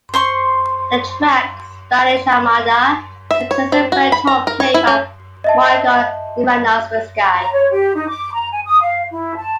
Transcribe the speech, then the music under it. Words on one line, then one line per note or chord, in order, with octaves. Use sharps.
The track "Spanish Armada" contains a French horn played by Michal Emanovsky.
C5 C6 C#6
E5
C#5
C4
F#4
B5
A#5
A#4
C#5
E4
C#4
D#5 E5 A5
A#5
C#5
G4
D#4
D6
A#5
G#5
D#6
F5
E4
A5